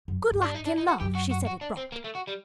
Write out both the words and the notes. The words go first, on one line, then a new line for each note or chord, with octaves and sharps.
Good luck in love she said it brought.
F#2
G2
D4
D#4
D4
D#4
F#4
F#2 G4
F#4
F#4
F#4
D4
C4
A#3
A3
F#4
G3